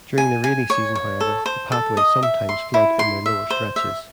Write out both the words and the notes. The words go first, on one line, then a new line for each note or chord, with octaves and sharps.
During the rainy season, however, the pathways sometimes flood in their lower stretches.
G#5
G#5
C#5
C#5
A4
C5
A4
D#5
E5
C6
E4
C6
E5
C5
E5